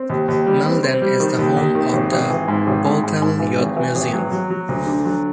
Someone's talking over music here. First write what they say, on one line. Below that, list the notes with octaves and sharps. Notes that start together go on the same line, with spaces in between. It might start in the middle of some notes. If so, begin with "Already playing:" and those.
Malden is the home of the Bootheel Youth Museum.
Already playing: C4
D#2
D#2
G3
C4
C4
G3
D#3
D#2
D#2
D#3
G#1
G#1
E3
G#2
G#1
G#2
G#2
G#2
E3
G#1
E3
G#1
F#3
F#3
F#3
D2
D3
F#3